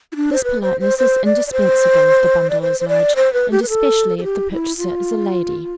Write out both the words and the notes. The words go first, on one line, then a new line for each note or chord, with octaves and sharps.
This politeness is indispensable if the bundle is large, and especially if the purchaser is a lady.
E4
D4
C5
B4
C5
C5
C5
D5
D5
C5
D5
C5
C5
D5
C5
B4
G4
B4
A4
A4
G4
E4
F4